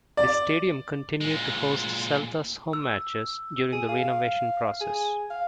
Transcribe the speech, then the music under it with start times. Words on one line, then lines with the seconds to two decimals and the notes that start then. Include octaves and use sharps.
The stadium continued to host Celta's home matches during the renovation process.
0.17 D5
1.21 A#2 G#3
2.73 E6
3.72 G#4
3.89 F5
4.81 G#4
5.30 F5